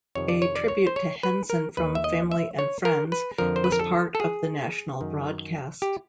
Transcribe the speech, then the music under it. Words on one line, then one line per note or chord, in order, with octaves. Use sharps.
A tribute to Henson from family and friends was part of the national broadcast.
F2 C3 D#3 C#5
D5
C#5
D5
C#5
C5
C#5
B4
A#4
D#2 D#3 B4
E5
D#5
E5
C#5
A#4
B4
F2 D3 F3 A#4
C5
B4
A#4
A4
A4
G#4
F#2 D#3
G4